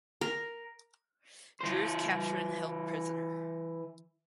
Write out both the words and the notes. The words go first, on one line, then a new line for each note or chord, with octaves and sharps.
Drew is captured and held prisoner.
A#4
E3 C5